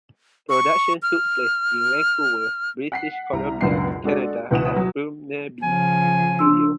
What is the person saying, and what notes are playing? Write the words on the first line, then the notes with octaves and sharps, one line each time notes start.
Production took place in Vancouver, British Columbia, Canada at Burnaby Studios.
C#6
F6
F#5 B6 C7
C2 A#5
C#2 F#2 B2 D4 F#5 C7
G#3 D4 F#4 A4 D5
C#2 B2 E3 F#5 D#6 E7
F#3
C#3 F3 G#5
D4 C6 E6